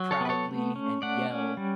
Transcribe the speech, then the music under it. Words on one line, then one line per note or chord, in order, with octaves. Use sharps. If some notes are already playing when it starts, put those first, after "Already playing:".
proudly and yell,
Already playing: F#3
A4 C#5
B3 B4
A4 C#5
A3
C#4
A3 D5 F#5
C#4
G3